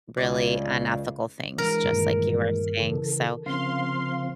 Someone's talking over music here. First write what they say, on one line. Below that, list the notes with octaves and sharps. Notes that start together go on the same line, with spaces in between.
really unethical things, just like you were saying, so
C#2 D5 G#5
E3 G#3 A#4
G2 A#2 D#3
C#3 E3 A4
C#3 F3 C4 C#4 F5 C6